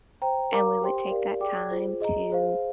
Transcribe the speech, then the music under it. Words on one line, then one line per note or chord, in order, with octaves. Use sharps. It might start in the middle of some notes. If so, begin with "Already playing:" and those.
and we would take that time to
C5 G5 A#5
A#4 F5 A#5 D6
G4 C5 G5 C6
G4 A#4 D5 F5
G#4 D5 G5 D6
F4 G#4 C5
G#4 D#5 A#5
G#4 C5 F5